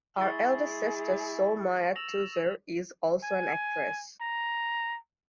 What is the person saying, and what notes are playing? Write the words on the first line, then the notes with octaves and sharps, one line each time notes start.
Her elder sister Soe Myat Thuzar is also an actress.
G#3 E4 G#4 C#6 A6
E6 A#6 F7 F#7
G#5
A#5